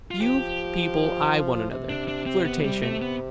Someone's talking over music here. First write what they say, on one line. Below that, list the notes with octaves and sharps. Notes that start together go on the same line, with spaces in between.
You people eye one another.... Flirtation.
F4
F3 G4
C3
D4
D4
C4
B3
G3
A3
B3